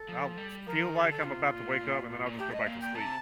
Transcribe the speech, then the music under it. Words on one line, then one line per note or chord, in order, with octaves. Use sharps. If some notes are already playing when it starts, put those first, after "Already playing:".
I'll f feel like I'm about to wake up, and then I'll just go back to sleep.
Already playing: A4
F3
G3
F3 A#4
D#3
A4
D3 G4
A4
C3 F4
A#2
A#2
A2
A#2
A2 G4
D#5
A#2 F5
G5
C3 A5